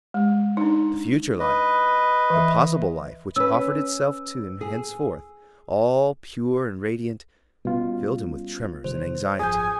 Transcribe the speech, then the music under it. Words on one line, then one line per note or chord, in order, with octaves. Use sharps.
The future life, the possible life which offered itself to him henceforth, all pure and radiant, filled him with tremors and anxiety.
G#3
D4 D#4
B4 D#5
E3 E5
C#4 B4 E6
G#4
B2 G3 A3 C#4 F4
C3 D#3 G3 C5
G#1 F#2 F3 G#4 G#5 D#6 G6